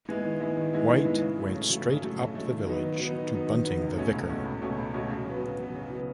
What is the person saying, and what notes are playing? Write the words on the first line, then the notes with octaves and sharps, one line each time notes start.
White went straight up the village to Bunting the vicar.
G#3 B3 E4
D#3
G#3 B3 E4
D#3
G#3 B3 E4
D#3
G#3 B3 E4
C#3
F#3 A3
C#3
F#3 A3
C#3
F#3 A3
C#3
F#3 A3
D#3
F#3 B3 D#4
D#3
F#3 B3 D#4
D#3
F#3 B3 D#4
D#3
F#3 B3 D#4
C#2
B2 A3 C#4 F#4
C#2
B2 A3 C#4 F#4
C#2
B2 A3 C#4 F#4
C#2
B2 A3 C#4 F#4
C#3
F#3 B3
C#3
F#3 B3
C#3
F#3 B3